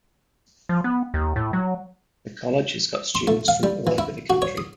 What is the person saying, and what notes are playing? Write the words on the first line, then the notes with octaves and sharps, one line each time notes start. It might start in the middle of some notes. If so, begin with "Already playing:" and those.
The College has got students from all over the country.
F3
B3
D#2
A2
F#3
C6
A3
F5
G3
E3
E4
F#4
C#5
D#6